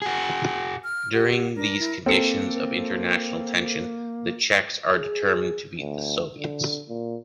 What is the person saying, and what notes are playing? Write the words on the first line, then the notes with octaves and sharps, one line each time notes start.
During these conditions of international tension, the Czechs are determined to beat the Soviets.
F#4 G#4
F6
G4 F#5
D4 A#4
E4
A#3 C4 A4 C#7
G#4
D2
D3
A#2